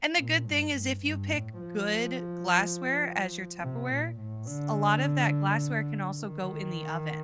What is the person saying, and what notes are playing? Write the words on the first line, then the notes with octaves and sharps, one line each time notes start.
And, the good thing is, if you pick good glassware as your Tupperware, s a lot of that glassware can also go in the oven.
A#2
G2
G2
G2
A2
F3
C3
A#2
A2
D3
D#3